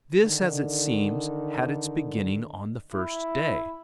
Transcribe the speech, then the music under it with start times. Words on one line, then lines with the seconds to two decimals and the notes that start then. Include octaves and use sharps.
This, as it seems, had its beginning on the first day.
0.22 D3 D#3
2.93 E4